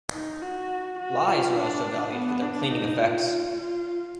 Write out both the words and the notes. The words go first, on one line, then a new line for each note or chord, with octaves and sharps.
Lyes are also valued for their cleaning effects.
D#4
F#4
F#4
F4
D4
B3
D4
D#4
F4
F4